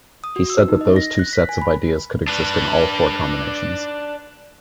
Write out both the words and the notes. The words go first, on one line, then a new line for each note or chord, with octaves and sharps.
He said that those two sets of ideas could exist in all four combinations.
D#6
F#4
E6
D#4
D#5
A#6
F#6
B6
G#5
B5
D4 B4